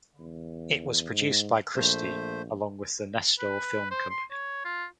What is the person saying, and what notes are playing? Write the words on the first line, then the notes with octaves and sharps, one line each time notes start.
It was produced by Christie along with the Nestor Film Company.
E2
G#2
A#1 A3 C5
B4
C5
C6
C#5
F4